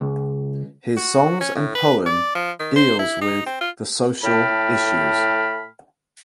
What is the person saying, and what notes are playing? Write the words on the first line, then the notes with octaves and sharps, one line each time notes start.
His songs and poem deals with the social issues.
C#2
F#4
C#4
A2
B4
D5
F3
D#3
C5
E4
D#4
C4
F4
A2 A3 G5 A5 B5 F6